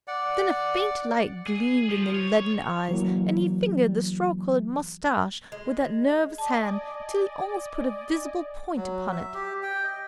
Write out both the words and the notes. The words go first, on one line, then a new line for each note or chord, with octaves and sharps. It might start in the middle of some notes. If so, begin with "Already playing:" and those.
Then a faint light gleamed in the leaden eyes, and he fingered the straw-coloured moustache with that nervous hand till he almost put a visible point upon it.
D5 F#5
G#4
F3
C#5
E3 F#3 A#3
G#3
D5 D#5 G#5 A5
F#3
E5
G4
G5
D#5